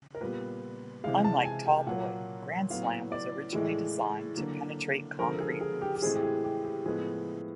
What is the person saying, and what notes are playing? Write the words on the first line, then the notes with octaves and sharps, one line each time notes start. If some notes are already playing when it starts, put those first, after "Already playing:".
Unlike Tallboy, Grand Slam was originally designed to penetrate concrete roofs.
A#4
A#2 G3 B3 B4
C3 E3 G#3 F5
A5
G#5
G5
A#2 F#3 A#3 F#5
A2 F#3 B3 F5
D5
A2 E3 G#3
D3 F#3 A#3
D3 F3 G#3 A#4
A4
G#4
G#4
G4
G4
A2 E3 G#3 C4 G#4
G4
G#4
G4
G4
A2 F3 G#3 B3 G#4